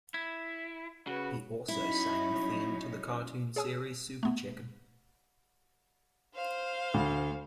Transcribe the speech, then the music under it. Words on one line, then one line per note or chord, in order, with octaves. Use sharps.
He also sang the theme to the cartoon series Super Chicken.
E4 G#6
C#3 F#4 B4
F#3 C#4 D#4 E4
G#4 C#5 G#5 D#6 E6
A3 B3
C5 F5
D2